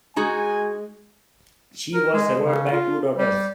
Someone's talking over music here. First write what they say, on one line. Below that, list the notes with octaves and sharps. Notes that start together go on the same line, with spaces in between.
She was survived by two daughters.
G#3 D#4 F#4 G#4 G#5
A#4
G#3
C#3
F4
G3